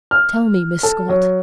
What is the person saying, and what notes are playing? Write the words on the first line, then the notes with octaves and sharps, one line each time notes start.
"Tell me, Miss Scott."
F6
A4
F#3